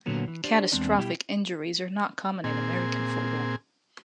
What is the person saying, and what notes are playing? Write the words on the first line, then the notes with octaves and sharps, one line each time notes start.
Catastrophic injuries are not common in American football.
A#2 D3 F#3 B3
E3
D4 G4 C5 D5
E2 G#2 G#3 C4 D4 D5
B2 G3 E4 G4 G5
A#2 C4 G#4